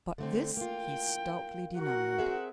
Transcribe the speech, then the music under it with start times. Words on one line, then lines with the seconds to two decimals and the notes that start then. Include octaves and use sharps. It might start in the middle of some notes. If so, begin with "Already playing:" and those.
But this he stoutly denied.
0.18 D3 A3 C4
0.57 A#3 F4 G5
1.77 F#4 A#4 F#5
2.18 C4 G#4 E5